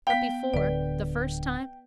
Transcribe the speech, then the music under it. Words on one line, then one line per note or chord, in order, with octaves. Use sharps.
But before--the first time?
B3 F5 G5 B6
D1 D3 B4 D5